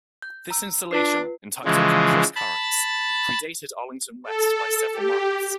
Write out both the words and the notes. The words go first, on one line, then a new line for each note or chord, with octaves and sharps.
This installation, entitled "CrossCurrents", predated Arlington West by several months.
G6
A#5 E6
D4 F4 B4 C7
C#3 E3 F3 G#3
A5 B5 A6
A4
G4